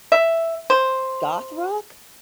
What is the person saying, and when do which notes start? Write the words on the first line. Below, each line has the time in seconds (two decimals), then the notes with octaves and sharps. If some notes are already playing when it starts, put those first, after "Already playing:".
goth rock?
0.12 E5
0.70 C5